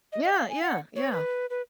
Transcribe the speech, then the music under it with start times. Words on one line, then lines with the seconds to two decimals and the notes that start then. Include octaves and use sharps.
Yeah, yeah, yeah,
0.12 D#5
0.24 D#5
0.32 F#5
0.36 F5
0.49 G#5
0.62 F#5
0.96 C#5
1.12 B4
1.50 B4